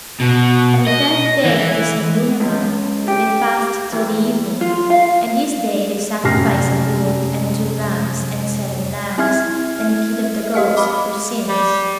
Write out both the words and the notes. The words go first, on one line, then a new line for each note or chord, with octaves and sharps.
On the tenth day of the same lunar month, they fast till the evening; and this day they sacrifice a bull, and two rams, and seven lambs, and a kid of the goats, for sins.
B2
D#5
E3
C#2
G4
E2
F4
F5
F1 F#2 G4 F6 A#6 C7
C4 E4 E5 F6 G#6
G4 D#5 F5 F6
B5 D6
G3